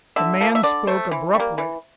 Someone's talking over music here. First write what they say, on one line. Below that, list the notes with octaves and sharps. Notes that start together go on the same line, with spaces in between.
The man spoke abruptly.
D3 E5
F3 A#3
E5
D3 D5
A3 C5
E3
G3 A#3
E3